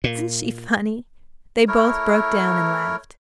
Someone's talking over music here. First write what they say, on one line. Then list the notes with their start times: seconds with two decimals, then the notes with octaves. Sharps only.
"Isn't she funny?" They both broke down and laughed.
0.04 A#2
1.68 A3 E4 A#4 C#5